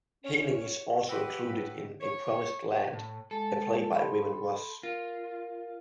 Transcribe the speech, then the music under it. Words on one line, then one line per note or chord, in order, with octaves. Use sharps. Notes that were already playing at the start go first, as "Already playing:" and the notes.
Haining is also included in 'A Promised Land', a play by Raymond Ross.
C#4 C#5
G4 B4 D#5 F#5 G5 E6
A2
C#5
A2
G#3 A4
B5 C6
F4 A#4